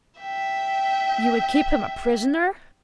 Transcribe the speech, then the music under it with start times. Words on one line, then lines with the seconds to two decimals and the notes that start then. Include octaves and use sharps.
"You would keep him a prisoner?"
0.20 E5 G5